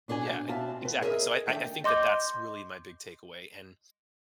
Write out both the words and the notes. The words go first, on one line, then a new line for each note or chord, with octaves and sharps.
Yeah, e exactly. So I I I think that that's really my big takeaway and
B2 D4 A4 C#5 G#5
B2 C4 G4 E5 F5 A5
C4 B4
E4 G#4 A#4 B4 D#5 E5
D#3 D4 A4 E5 G5 A5
D#5 C6 D6 G6